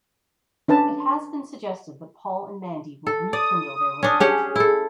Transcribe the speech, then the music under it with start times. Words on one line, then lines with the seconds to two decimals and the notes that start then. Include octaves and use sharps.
It has been suggested that Paul and Mandy will rekindle their relationship.
0.68 C#4 D4 B4 A5
3.07 A4
3.33 D5 D#6
4.03 C#4 D4
4.20 C#4 G4 G#4 F#5
4.56 E4 A4